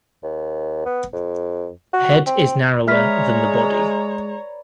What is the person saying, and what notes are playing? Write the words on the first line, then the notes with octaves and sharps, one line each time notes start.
Head is narrower than the body.
D#2
B3
F2
F#4
C4
G#3 B4 C#5 D5 E5 A#5 F6 B6